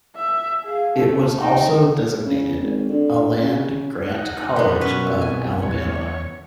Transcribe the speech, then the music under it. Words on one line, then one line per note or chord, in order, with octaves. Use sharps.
It was also designated a land grant college of Alabama.
E5
G#4 F5
A3
D#4 G5
C#3
G#1
D3
C#3
D#4 F#5
A#2 B3
F#2 B2 C#4 B4
C2 G#5
E2 C#5